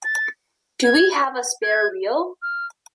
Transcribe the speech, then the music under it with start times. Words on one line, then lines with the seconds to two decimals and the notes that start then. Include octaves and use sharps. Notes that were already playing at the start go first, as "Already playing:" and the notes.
Do we have a spare wheel?
0.04 A6
0.84 G#6
1.63 G#6
2.42 F6